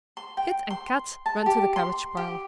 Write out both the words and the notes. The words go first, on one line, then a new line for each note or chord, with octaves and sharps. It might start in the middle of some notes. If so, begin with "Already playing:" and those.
Kit and Kat ran to the cabbage-pile.
C6
G5
C6
A5
G4
C6
G4